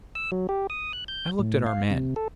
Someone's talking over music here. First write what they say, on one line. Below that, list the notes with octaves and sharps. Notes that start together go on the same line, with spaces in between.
I looked at our men.
E6
F#3
G4
D#6
F#6
G6
A2
F5
C3
A4